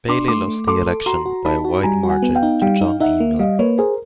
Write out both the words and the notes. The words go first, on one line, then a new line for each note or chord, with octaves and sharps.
Bailey lost the election by a wide margin to John E. Miller.
D4 C6 D6
A3 C6 D6
A3
A4 C6 D6
A4
F#4 A#5 C6
F#4
D#4 A5 B5
F#4
G3 G#5 A#5
F#4
F#5 G#5
B3
F5 G5
D#4
G3 F5 G5
D#4
D#4 E5 F#5
A#3
G3 D#5 F5
A#3 B4 C#5
G#4 A#4 C5